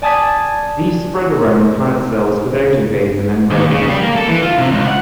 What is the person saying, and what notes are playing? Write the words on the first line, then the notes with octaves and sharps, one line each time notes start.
These spread around the plant cells without invading the membranes.
D5 G#5 A5 D#6 G#6 B6
D#2
C#3
G3
A#3
A4
E3
F4
C3
C#2
F#5